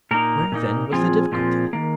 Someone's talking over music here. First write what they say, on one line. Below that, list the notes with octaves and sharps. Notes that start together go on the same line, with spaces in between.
Where then was the difficulty?
A#2 A#3 D#4 A#4
A#2 A#3 D#4
A#2 F3 C4 F4 G#4
A#2 F3 C4 F4
D#3 A#3